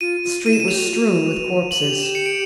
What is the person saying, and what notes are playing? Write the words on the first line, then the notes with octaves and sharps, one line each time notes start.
The street was strewn with corpses.
F4 D#7
F4
E4 D#7
E7
D#7
G4 F7
F#4
F4
F#4
F#7
G4 A4 F7
E7
C#7
D7